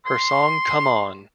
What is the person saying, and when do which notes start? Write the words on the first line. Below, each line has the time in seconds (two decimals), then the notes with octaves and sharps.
Her song Come On!
0.06 C6